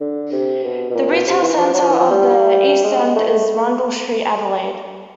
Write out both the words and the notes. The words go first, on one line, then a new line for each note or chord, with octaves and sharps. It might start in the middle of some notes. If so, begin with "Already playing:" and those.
The retail centre of the East End is Rundle Street, Adelaide.
D3
C3
B2
B2
A#2
B2
C3
E3
F3
F#3
F3
E3
F3
G3
G#3
A3